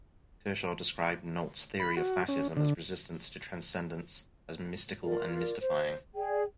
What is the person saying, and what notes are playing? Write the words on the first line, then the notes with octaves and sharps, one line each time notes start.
Kershaw described Nolte's theory of fascism as "resistance to transcendence" as "mystical and mystifying".
B5
F#4
C#4
D3
F4 A#4 D5
C5
G#4 D5 G5